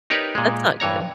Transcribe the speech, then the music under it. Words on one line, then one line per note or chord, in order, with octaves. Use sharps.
That's not good.
D#4 G4 A#4 B4 C#5 D5
A#2 G#3
G2 E3 C#5 A#5